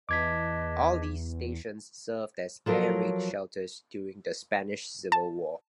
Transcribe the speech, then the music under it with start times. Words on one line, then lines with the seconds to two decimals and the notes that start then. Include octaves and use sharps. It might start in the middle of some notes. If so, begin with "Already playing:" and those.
All these stations served as air raid shelters during the Spanish Civil War.
0.09 E2 B4 D#5 A5 D6 G#6 B6
2.66 F3 F#3 A4 A#4
5.12 A5